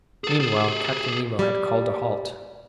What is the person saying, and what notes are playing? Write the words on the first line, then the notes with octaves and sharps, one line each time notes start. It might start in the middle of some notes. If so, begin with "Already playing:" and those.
Meanwhile Captain Nemo had called a halt.
G#4 A4
G#4 A4
G3